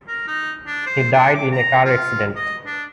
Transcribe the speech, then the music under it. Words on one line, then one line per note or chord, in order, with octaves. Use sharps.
He died in a car accident.
A#4
D#4
D4
C5
D4
D6
A#5
F4
D#5
D4